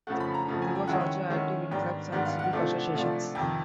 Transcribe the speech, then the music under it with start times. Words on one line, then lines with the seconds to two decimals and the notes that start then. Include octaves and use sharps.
He was also active in clubs and civic associations.
0.07 F2 C#3 F3 A3 F#5
0.20 B5
0.34 A#5
0.48 F2 C#3 F3 A3
0.62 G#5
0.75 G5
0.88 D#3 G#3 C#4 E4 F#5
1.00 G5
1.30 D#3 G#3 C#4 E4
1.71 G#2 D#3 G3 B3 D4 G5
2.12 G#2 D#3 G3 B3 D4 F#5
2.25 F5
2.39 F#5
2.53 C3 F3 A3 D4 F4
2.93 C3 F3 A3 D4 F4
3.35 F2 C3 D#3 G5